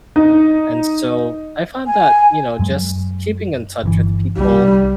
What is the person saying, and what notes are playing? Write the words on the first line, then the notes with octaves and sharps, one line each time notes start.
and so, I find that, you know, just keeping in touch with people,
D#4
G#5
F#2 F#3 G#3
G1 C3 E3
C2 G3